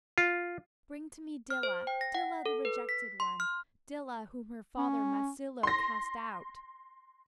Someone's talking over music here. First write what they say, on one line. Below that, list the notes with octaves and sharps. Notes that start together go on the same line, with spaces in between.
Bring to me Dilah, Dilah the rejected one, Dilah, whom her father Masilo cast out!
F4
F6
C5
G5
A#6
F#5
A4
B4
B6
C6
F6
C#4
C6 A#6